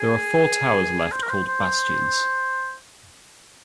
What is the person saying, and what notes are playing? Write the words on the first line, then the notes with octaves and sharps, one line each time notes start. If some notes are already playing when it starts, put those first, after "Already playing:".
There are four towers left called bastions.
Already playing: G#4
C5
A#4
C5
C5